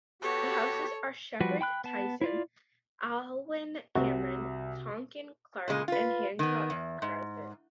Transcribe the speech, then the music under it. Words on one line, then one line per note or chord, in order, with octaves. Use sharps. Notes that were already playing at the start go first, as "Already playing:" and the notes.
The houses are Sheppard Tyson, Aylwin Cameron, Tonkin Clarke and Hancock Crowther.
B3 F#4 G4 A4 C#5
F3 G3 F#4 B4
G5 B5 F#6
B3 A5
E4 F4 D5
C2 C3 F#4
A#2 C#3 G#3
F4 B4
D#3 B3
E2
G#2